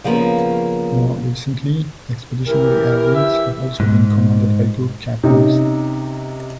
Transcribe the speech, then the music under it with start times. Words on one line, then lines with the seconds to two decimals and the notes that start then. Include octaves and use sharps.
More recently, expeditionary air wings have also been commanded by group captains.
0.04 C#3 F3 G3 A#3 B3 C#4
2.47 E3 G4 A#4
3.15 E5
3.80 G#2
5.23 C3 C#4 D#4